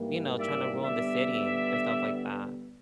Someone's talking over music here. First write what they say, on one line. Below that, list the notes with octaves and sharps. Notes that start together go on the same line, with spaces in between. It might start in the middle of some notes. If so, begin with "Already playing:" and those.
you know, trying to ruin the city and stuff like that.
Already playing: G#2 E3 G3 A#3
D5 E5
D3 G3 B3 D5 E5